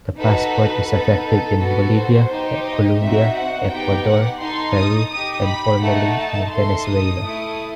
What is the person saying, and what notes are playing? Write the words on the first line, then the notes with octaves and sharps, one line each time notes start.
The passport is effective in Bolivia, Colombia, Ecuador, Peru and formerly, in Venezuela.
D#4 F#4 A4 B4
B3 D#4 A4
A4
B3 F#4 A4 B4
C5
D#4 G4
D#5
C4 D#4 F#4 E5
F#5
B3 D#4 G4 G5
F#5
D#4 A4 C6
D#6
D#4 G4 D#6
B5
A3 D#4 A4 F#5
A5
D#4 A4 C6
D#6
A3 E4 A4